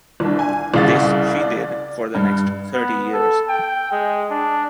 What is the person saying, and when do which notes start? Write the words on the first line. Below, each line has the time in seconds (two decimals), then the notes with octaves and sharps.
This she did for the next thirty years.
0.20 C2 D4
0.39 G#5
0.74 C2 C#3 F5 F#5 A6
1.40 D5
2.15 G2
2.73 B3
3.13 A4
3.49 G5
3.92 G#3
4.31 D4